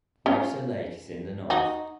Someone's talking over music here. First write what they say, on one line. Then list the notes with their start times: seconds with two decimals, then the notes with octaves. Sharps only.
Webster Lake is in the north.
0.26 C#4 F4
1.50 D#4 F#4